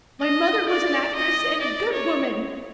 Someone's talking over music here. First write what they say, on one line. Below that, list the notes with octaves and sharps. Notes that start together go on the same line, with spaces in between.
My mother was an actress and a good woman.
D#5
D5
D#5
D5
C#5